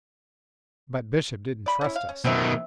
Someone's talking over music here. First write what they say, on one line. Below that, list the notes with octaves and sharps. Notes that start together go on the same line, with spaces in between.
But Bishop didn't trust us.
D5 B5
C#4 E4
F5
C#4
B2 D#3 C4 E5